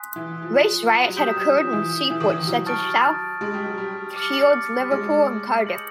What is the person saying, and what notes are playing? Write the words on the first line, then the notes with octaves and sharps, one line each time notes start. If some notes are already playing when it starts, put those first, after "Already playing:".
Race riots had occurred in seaports such as South Shields, Liverpool and Cardiff.
Already playing: G#5 C6 D#6 F#6 B6
E3
F3
F#3
G3 D#6 G6 B6 E7
F#3
G3
F3
E3
E3
D#3
E3
F#3
A5 C#6 F6 A6 D7
G#3
G3
F#3
G3
D6 F6 A6 C#7 F#7
G3
G#3
D#6 G6 A#6 C#7 F#7